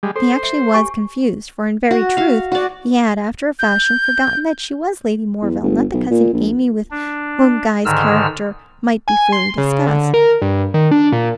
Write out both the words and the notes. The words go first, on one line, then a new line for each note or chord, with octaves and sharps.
He actually was confused; for in very truth, he had, after a fashion, forgotten that she was Lady Morville, not the cousin Amy with whom Guy's character might be freely discussed.
G3 G#3
A4 C5
E5
G4 G#5 C#6
F#4
F#4 F5
F#4 D5
G6
E2
G1
B1
A#2
A#1
D4
G#2 D3 D#3 E6 F6
G#5
C6
C#3
D3
A#4
G2
D#3
D4
A#2